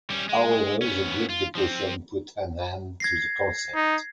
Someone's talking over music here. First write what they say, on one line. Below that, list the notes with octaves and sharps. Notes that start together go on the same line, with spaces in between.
However, the Great Depression put an end to the concept.
G3 C#4
G#3
B3 C#4
F4
F3 C4
G#6 A#6 C7
D#4